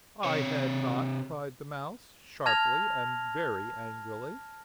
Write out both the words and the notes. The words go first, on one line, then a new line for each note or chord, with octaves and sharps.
'I had NOT!' cried the Mouse, sharply and very angrily.
C3 C#5
A5 F6 G#6 A#6 F7